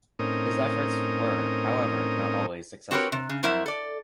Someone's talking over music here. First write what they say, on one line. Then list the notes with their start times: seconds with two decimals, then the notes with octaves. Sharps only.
His earlier efforts were, however, not always successful.
0.19 A2 C4 C#4 D#4 A#4 D#6
2.91 C4 F#4 G4 A#4 B4 C#5
3.12 C3
3.29 C#3
3.43 F2 F#3 E4 A#4 C5 E5
3.66 A4 D5